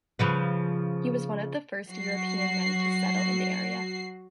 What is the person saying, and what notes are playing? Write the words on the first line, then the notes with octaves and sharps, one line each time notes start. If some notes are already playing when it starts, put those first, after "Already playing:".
He was one of the first European men to settle in the area.
C#3 F3 B4
F#3 F#4 C7